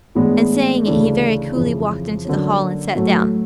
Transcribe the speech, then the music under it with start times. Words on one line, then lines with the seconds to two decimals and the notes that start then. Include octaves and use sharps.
And saying it, he very coolly walked into the hall, and sat down.
0.15 A2 E3 G#3 B3 D4
0.85 D2 C#3 E3 A3 D4
1.55 F2 C#3 E3
2.25 D3 F#3 A#3 C#4
2.95 A2 F#3 A3